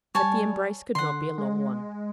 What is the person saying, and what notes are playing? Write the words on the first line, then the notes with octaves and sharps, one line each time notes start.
But the embrace could not be a long one.
G3 C#5 G#5 A5
D3 F#5 C6
G#3